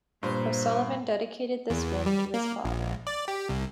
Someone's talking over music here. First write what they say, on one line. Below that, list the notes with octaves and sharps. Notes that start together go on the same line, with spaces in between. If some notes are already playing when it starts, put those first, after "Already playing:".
O'Sullivan dedicated this win to his father.
G2 A#2 F4 C5
E2
G3
A#3
A#1
D5
G4
C2